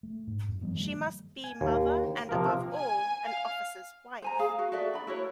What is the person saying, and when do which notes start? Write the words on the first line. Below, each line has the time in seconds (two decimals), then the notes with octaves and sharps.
She must be mother and, above all, an officer's wife.
0.03 A3
0.27 G#2
0.48 F#2
0.61 E3 F3 G3 B3
0.75 D#3 F3 G3 A3
1.44 G#5
1.61 D#2
2.29 C3 F3 A#3 A#4
2.74 G#5
3.24 F5
4.22 C5 G#5 A#5
4.39 G#4 F5
4.59 F#4
4.72 F#4 A4 D5 E5
4.93 D4 B5
5.07 E4 F#4 A#4 C#5